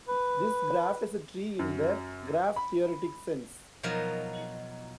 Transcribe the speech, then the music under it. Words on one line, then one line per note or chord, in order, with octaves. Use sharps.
This graph is a tree in the graph-theoretic sense.
B4
F#2
B5
B2 F3 F#3 D#4 A#4